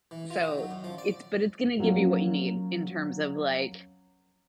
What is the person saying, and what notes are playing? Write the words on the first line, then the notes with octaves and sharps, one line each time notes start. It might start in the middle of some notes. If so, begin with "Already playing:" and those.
So, it's but it's gonna give you what you need in terms of, like,
E3
F4
D#3
F#3
F#2
F3
D5
F3 F#3 A#3 C#4